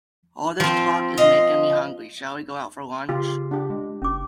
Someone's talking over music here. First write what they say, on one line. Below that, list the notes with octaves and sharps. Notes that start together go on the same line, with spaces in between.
All this talk is making me hungry, shall we go out for lunch?
F3 C4
D#5 F5
C#3 F4 G4
D4 G4
G#3
F#1 C#4 D6